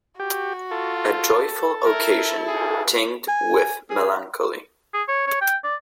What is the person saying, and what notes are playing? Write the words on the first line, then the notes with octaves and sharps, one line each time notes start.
A joyful occasion tinged with melancholy.
F#4 G4
F4 A4
E4 A#4
G#4
G#5
G#4
G#4
C#5
C#5
G5
D5